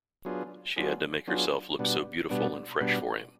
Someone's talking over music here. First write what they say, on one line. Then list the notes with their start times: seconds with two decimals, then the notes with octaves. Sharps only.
She had made herself look so beautiful and fresh for him.
0.25 F#3 B3 D4 F4 G#4
0.76 F#3 B3 D4 F4 G#4
1.27 F#3 B3 D4 F4 G#4
1.79 B2 G3 B3 D4
2.30 B2 G3 B3 D4
2.81 B2 G3 B3 D4